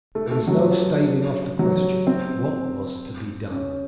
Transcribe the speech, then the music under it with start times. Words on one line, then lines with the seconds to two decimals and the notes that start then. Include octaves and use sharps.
But there was no staving off the question, What was to be done?
0.15 A3
0.31 A3
0.47 F#3
1.59 F#3
2.07 C4
3.50 C#4